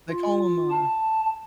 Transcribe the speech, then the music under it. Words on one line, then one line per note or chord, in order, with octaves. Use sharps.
they call 'em, uh
F4
A5